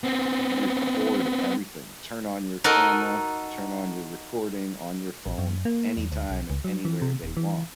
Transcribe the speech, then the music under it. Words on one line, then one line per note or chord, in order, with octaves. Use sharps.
record everything, turn on your camera, turn on your recording on your phone anytime, and anywhere they want.
B3 C4
D#4 F#4 A4 A#4 D#5
A1
F#2
A#3
E2
D2
B1
C#2
F#3
E3
C3
D#1
E3